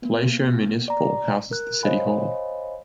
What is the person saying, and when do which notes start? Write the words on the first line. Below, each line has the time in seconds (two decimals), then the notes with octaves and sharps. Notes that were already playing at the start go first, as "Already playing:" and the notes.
Palacio Municipal houses the City Hall.
0.02 A#3 B3
0.88 D5 A#5
1.51 A#4 F#6
1.83 C5 C#5 D#5 F5 G#5 B5